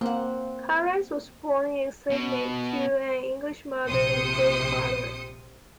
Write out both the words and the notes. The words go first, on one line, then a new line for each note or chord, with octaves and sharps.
Carides was born in Sydney, to an English mother and Greek father.
A#3 C4 F#5
B2
A#1 C3 C5 D#6 C#7